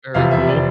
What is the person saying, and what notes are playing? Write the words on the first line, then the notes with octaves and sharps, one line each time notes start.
Very cool.
F1 E2 C3 F3 F5
E5
D5